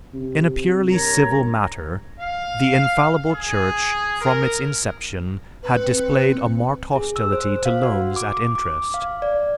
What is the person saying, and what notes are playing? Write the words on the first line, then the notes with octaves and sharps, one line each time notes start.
In a purely civil matter, the infallible Church from its inception had displayed a marked hostility to loans at interest.
C3
G2 A#4 C#5 A#5
F5
G#4
A#4
C4 B4 C#7
G#4
E6
C5
F5
F#4
D6
D6
F5
D5